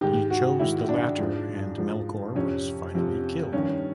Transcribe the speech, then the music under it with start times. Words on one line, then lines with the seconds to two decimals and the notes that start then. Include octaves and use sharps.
He chose the latter, and Melkor was finally killed.
0.01 G#2 D#3 G4
0.30 F#4
0.60 G#2 D#3 E4
0.89 D4
1.18 G#2 F3
1.78 G#2 F3
2.35 F2 C3 F3 C#4
2.95 F2 C3 F3
3.53 G2 D#3 C#4